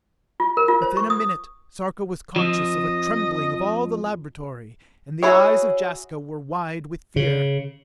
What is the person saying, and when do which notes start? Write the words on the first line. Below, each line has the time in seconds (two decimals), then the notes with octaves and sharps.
Within a minute, Sarka was conscious of a trembling of all the laboratory, and the eyes of Jaska were wide with fear.
0.40 F4
0.57 A#4
0.68 F4
0.82 C5
0.97 C#6
1.10 D#6
2.36 F2 F3 D#5
5.23 E4 F#4 G#4 C#5
7.16 C#3